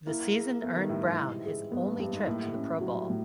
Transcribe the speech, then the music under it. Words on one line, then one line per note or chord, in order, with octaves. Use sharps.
The season earned Brown his only trip to the Pro Bowl.
A#3 E4
G#4
A3 B3
D#3
A2 G3
G#2
E4
G#4
G#2 B3
G2
G2 G3
G#2
A2 A#3
C#4
F#3
A2